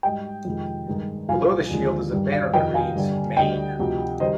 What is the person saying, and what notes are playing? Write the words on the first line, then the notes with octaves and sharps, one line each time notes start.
Below the shield is a banner that reads "Maine".
G#2 G3 D#5 G5
F2 C3 D#3 G#3
G2 D#3 G#3
C2 A#2 F3 F5 G#5
D#2 D3 F3 G#3
G2 D#3 G3
D5 F5
F2 C3 D#3 D#5 G5
F5 G#5
G2 D3 G3
D2 D3 G3 D#5 G5
D2 C3 F3
C3 D#3 G3 C5 D#5